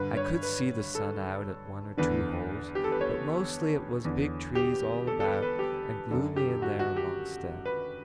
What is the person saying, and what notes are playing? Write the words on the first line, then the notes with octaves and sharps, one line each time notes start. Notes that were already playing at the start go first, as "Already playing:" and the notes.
I could see the sun out at one or two holes, but mostly it was big trees all about, and gloomy in there amongst them.
Already playing: G2 D3 B4
C#5
B4
A4
E2 D3 B4
G4
A4
B4
C#5
E2 D3
G4
A4
A4
B4
B4
G4
F#2 D3 A4
G4
F#4
F#4
G4
B4